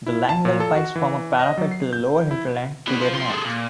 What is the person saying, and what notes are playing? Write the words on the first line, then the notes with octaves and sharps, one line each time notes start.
The Langdale Pikes form a parapet to the lower hinterland to their north.
E4
A5
A#2
A4
F#4
E3
D#5
F#3
C7
G6
E4
E3 B3
F4 C5
F2 C6
G#4 A4
A#2